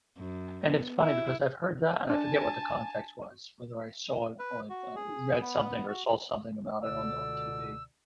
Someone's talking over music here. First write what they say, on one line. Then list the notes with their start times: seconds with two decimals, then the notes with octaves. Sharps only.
And, it's funny because I've heard that, and I forget what the context was, whether I saw it on or read something or saw something about it on on TV,
0.18 F#2
0.66 B3
1.01 E4
2.10 D4 G#5 A5
4.39 B4
4.70 F#4
4.96 G#4
5.41 B3
5.88 F#4
6.83 C#2 B2 D3 D5 E6